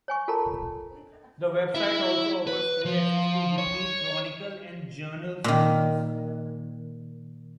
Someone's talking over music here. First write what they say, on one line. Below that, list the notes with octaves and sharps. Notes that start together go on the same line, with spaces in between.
The website also offers free access to the weekly "Chronicle" and "Journal" series.
C#5 G#5 C#6
F4 A4 A#4 A5 A#5
E4 E5
B4
F3
C#5
A#2 D#3